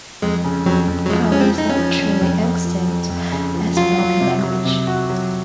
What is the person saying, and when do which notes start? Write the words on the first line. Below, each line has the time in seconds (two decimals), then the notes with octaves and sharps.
Kawi is not truly extinct as a spoken language.
0.22 F2 G#3
0.45 C#3
0.66 F2 F#3
0.88 F2
1.06 F#3
1.10 F3 G#3
1.32 F3 C#4
1.40 C4
1.54 F3 D#4
1.69 C#4
1.77 F3
1.99 F2
2.21 F2
2.43 F2
2.65 F3
2.88 F2
3.10 F2
3.32 C#3
3.55 F3
3.77 F#3 F4
3.98 F#3
4.20 C3
4.43 F#3
4.65 C3
4.87 F#4
5.10 F#3